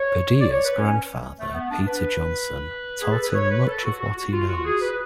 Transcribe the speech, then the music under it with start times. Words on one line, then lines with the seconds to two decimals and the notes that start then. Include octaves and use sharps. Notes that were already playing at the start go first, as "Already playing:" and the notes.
Padilla's grandfather, Peter Johnsen, taught him much of what he knows.
Already playing: C#5
0.40 D5
0.52 C#5
0.64 B4
0.77 C#4
1.38 A3
1.54 B3
1.70 D4
1.86 B4
3.01 G#4
3.12 A4
3.23 B4
3.34 C#5
3.50 B4
3.67 A4
3.83 F#4
4.00 F#4
4.16 F#4
4.32 F4
4.48 F#4
4.65 G#4
4.81 B4